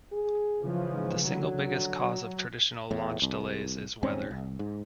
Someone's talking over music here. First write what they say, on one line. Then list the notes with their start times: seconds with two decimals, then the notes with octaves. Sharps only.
The single biggest cause of traditional launch delays is weather.
0.12 G#4
0.61 C#3 E3 F3
0.91 G#2
1.26 D3 F#3
2.91 E2 A2
3.22 C2
4.03 D#1 G#2 C4 C#4
4.31 C2
4.59 G#2